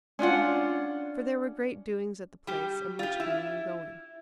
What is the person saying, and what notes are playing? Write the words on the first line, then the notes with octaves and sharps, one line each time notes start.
For there were great doings at the Place and much coming and going.
C#4 D4 F4 F#5
G3 G4
F4 G4
E4